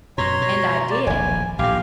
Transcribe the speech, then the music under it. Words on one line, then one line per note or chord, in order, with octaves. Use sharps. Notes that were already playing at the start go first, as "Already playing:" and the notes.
And I did.
F#2 B2 C#5 A#5 C6
B2
D5
D#1 A#1 G#5
A#1 A2 G4 F5